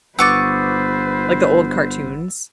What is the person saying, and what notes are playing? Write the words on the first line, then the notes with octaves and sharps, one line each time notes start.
Like, the old cartoons.
G1 B3 B4 C5 C#6 D6 E6 A6